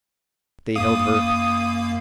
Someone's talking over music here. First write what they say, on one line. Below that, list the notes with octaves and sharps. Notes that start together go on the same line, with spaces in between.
They held her.
F#2 A#3 F5 D#6